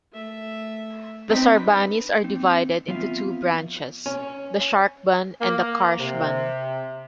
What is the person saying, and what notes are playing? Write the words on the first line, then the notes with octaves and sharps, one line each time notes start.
The Sarbanis are divided into two branches: the Sharkbun and the Kharshbun.
A3 E5
C4 D4 D#4 B4 B6
A#3 C4 D#4
F3 B3 C4 F4 E5 F5
C#4
A#3
C3